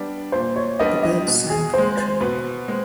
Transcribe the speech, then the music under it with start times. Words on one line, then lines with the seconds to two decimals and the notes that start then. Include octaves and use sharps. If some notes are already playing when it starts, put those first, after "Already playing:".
The birds sang from the treeline.
Already playing: G3 B3 D4
0.32 A#2 C5
0.56 C#5
0.79 G3 B3 D4 D#5
1.03 D#5
1.27 B2
1.50 G#4
1.74 G#3 C4 C5
1.97 C5
2.21 B2 B4
2.68 G#3 C4